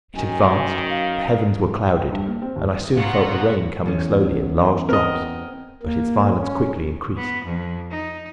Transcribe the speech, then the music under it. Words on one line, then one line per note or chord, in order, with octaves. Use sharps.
It advanced; the heavens were clouded, and I soon felt the rain coming slowly in large drops, but its violence quickly increased.
F#2 D#3 G#5
F5
G5
G2
A#3
C4
D#2
G#2 C3 B3 C#4 F4 F#4 F#5 A#5
E2 C#4
B3 C4 A#4 D#5
A#3
C#4
B3
F2
D#4